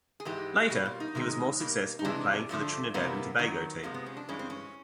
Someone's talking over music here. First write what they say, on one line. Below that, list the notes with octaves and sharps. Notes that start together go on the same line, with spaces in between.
Later, he was more successful playing for the Trinidad and Tobago team.
G#4
G#2 E3 G#3 G4
B2 G3 A#3 F#4
F4
D#4
C3 D#3 G#3
B2 G3 A#3
D#4
C3 E3 G#3 D4
G2 D3 F3 A3
C3 E3 G3 A#3 B3
F#2 D#3 F#3
C3 F3 G#3 A#3
B3
C#4
D4
G2 E3 G#3 C#4
C4
C#4